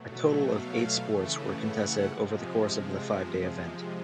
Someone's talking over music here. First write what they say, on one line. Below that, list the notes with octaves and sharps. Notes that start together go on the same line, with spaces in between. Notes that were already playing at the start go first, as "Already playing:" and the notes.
A total of eight sports were contested over the course of the five-day event.
Already playing: B2 F#3 A3
F5
C#3 E3 A3
F#5
C3 F3 G#3